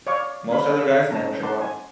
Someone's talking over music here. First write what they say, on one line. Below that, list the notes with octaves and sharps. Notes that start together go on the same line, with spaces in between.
Most other guys never show up.
C#5 D5 F5 C#6
C#4 F5 B5
E6
C#4 A5 A#5
A#4 F#5 A5 C6 D6
G#5